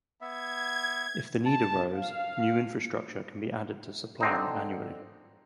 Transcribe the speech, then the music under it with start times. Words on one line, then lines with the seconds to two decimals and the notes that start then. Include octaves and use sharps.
If the need arose new infrastructure can be added to supply annually.
0.21 B3 E5 G#6
1.45 A5
1.94 F5
4.21 D3 C4 D#4